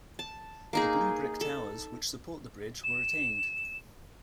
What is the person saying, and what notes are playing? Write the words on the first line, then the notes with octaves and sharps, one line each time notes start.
The blue brick towers, which support the bridge, were retained.
A5
A#3 D#4 G#4
A4
E7